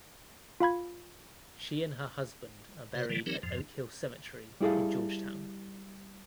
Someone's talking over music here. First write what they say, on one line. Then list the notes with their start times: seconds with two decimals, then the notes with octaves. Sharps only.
She and her husband are buried at Oak Hill Cemetery in Georgetown.
0.60 F4 F5 B5 G#6
2.95 C3 F#4 C5
3.09 D3 E3 F3 G3
3.26 E3 F#3 C4 D#4 G4 A#4
3.43 F2 G#2 F3
4.61 G3 E4 G#4 A4 F5